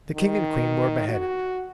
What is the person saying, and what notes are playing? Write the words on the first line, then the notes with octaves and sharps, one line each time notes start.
The king and queen were beheaded.
D#3
F#4